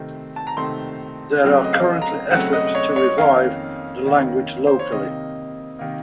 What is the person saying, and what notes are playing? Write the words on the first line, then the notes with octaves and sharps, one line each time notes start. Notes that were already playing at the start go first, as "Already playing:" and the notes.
There are currently efforts to revive the language locally.
Already playing: C3 D#3 A3 C4
A5
A#5
C3 D#3 A3 C4 C6
C#3 F#3 A3 C4
D#5
F5
A#5
C#3 F#3 A3 C4 F#5
D#5
C#5
C#5
F2 D#3 A#3 C#4 F5
F2 D#3 A#3 C#4
C5
C#5
C3 D#3 A#3 D#5
C3 D#3 A#3